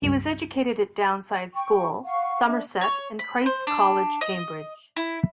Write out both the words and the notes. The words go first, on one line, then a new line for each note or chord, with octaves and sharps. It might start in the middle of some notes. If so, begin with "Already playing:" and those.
He was educated at Downside School, Somerset, and Christ's College, Cambridge.
C#2 G2
G5 C#6
F5 F#5 C#6
D4 E5
C#5
B5
C5
D4
D#5
E4